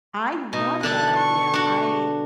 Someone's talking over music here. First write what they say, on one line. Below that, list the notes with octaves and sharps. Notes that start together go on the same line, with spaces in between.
I love that idea, I
B2 D#4
D3 D4 A4 F#6
C#6
D4 F#4